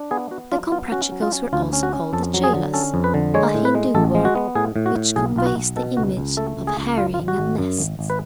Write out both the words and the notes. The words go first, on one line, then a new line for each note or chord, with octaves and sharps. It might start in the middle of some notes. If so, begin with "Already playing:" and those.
The Comprachicos were also called the Cheylas, a Hindu word, which conveys the image of harrying a nest.
Already playing: D4
B3 G#4
B3 F#4
F#3 F4
B3 F4
C#4 F#4
F#3
F4
C#4
D2 F4
C#4
F#4
C#4
F2 A4
F#3
G#4
D3
C#4 A4
F2
B4
D3
G#3 C#5
A2
B4
G#3
A1 A4
G#3
F#4
B3
A2 G#4
A2
F#4
A2
B1 G#4
B1 F4
F#4
B1
B2 A4
C#2 F#4
C#2
A3 A4
C#2
G#4
C#2
F#2 F4
F4
G#1
F#4
G#1
F#2
G#1
G#1
B4